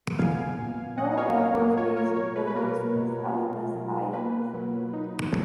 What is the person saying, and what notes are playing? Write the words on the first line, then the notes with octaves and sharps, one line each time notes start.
Hill Air Force Base borders the southwest side of the city.
B3 F5 G#5
A#2
F#3 D#5 F#5
D#5
C#5 F5
A#2 A#4 C#5
A#4
F4 A#4 C#5
A#4 C#5
B2 A#4 C#5
B4
B4
A#3 A#4
B2
F4
F#3
A#3 B4
F#3
D#4